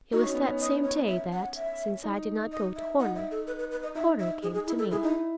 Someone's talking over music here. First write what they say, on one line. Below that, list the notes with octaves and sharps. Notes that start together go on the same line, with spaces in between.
It was that same day that, since I did not go to Horner, Horner came to me.
D#4 F#4
C#4
B3
C#4
D#5
C#5
E5
F#5
E5
D#4
D#5
E5
D#4 F#5
E5
A4
B4
B4
B4
D#5
D#4 E5
E5
G#4
G#4
E4
A4
E4 G#4
D#4